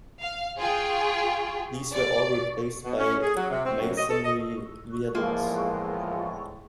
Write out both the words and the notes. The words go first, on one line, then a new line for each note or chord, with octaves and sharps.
These were all replaced by masonry viaducts.
F5
F4 G#4 G5
D5
B2
C#4
G#4
F#3
C3
C4
F#2
D#5
A4
D#5
E2 A2 F3 G#3 A#3 F4